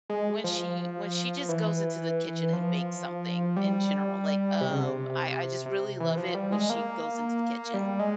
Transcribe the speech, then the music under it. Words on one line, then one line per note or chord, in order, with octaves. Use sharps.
when she when she just goes into the kitchen and bakes something, in general, like, um, I I just really love it when she goes into the kitchen.
G#3
F3
E3
F3
G3
C3
C#3
C3
C3
E3
F3
G3
G#3
A#3
G3
G#3